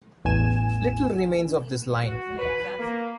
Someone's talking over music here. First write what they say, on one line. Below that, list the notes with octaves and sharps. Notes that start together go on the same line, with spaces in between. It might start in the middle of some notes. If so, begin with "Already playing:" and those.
Little remains of this line.
A1 E2 G#5 E7
F#4
B4
A#3